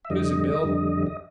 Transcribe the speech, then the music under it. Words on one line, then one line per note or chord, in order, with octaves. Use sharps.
What is it, Bill?'
E5
F2 D3 G3 D#5
F2 D3 G3
D#5